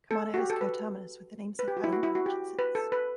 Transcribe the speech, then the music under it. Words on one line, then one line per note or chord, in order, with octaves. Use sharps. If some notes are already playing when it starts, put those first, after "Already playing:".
Camano is coterminous with the namesake island on which it sits.
A4
F#4
G4
A4
B4
B4
G4
F#4
E4
F#4
E4
F#4
G4
B4
A4
B4